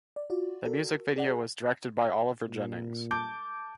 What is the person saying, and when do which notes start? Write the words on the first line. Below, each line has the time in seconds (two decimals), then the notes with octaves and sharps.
The music video was directed by Oliver Jennings.
0.16 D5
0.30 F4 F#4 D5
0.65 F#4 A4 A#4
1.16 G#4 D5 F#5
2.49 A#2
3.11 A5 D6 G6